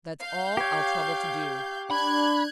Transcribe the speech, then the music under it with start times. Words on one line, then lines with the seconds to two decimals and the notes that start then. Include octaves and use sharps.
That's all I'll trouble to do.
0.23 F5 G6
0.57 G4 C#5
1.91 D4 B5 F#6 G#6